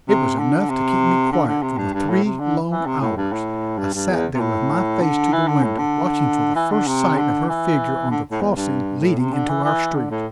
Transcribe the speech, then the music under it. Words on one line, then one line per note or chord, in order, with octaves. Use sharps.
It was enough to keep me quiet for the three long hours I sat there with my face to the window, watching for the first sight of her figure on the crossing leading into our street.
C3
D3
C3
D3
D3
C3
G2
G2
A2
C3
D3
E3
C3
A2
G2
A2
G2
G2
E2
C3
A2
D3
E3
D3
A2
D3
E3
D3
C3
D3
E3
D3
A2
E2
G2
A2
C3
D3
E3
E3
D3
A2